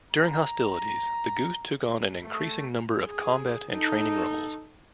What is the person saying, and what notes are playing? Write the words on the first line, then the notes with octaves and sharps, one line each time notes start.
During hostilities, the Goose took on an increasing number of combat and training roles.
A#5
A3
G#4
D#4 A4